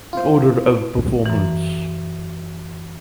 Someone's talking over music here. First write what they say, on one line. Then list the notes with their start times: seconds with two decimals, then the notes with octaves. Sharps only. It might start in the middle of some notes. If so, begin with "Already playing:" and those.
In order of performance.
0.13 E4 F4 C5
1.26 F#2 E3